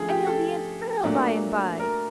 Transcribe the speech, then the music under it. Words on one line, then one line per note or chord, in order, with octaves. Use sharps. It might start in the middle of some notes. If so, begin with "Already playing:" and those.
And he'll be an earl by-and-by.
Already playing: D3 F3 A3 C#4 G#4 A4
G4
A4
A#2 F#3 A3 D4
A#4